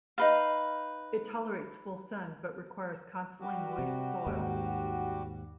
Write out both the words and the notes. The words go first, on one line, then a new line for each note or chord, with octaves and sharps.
It tolerates full sun, but requires constantly moist soil.
D#4 B4 F5
G3 F#4 G4
C3
D#2 G#2